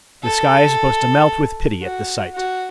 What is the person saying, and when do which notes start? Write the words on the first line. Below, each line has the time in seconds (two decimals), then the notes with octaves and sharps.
The sky is supposed to melt with pity at the sight.
0.23 A4
1.82 F#4
2.35 F#4